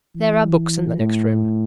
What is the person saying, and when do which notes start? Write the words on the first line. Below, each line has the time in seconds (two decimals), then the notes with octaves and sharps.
There are books in the next room.
0.15 E3
1.00 A2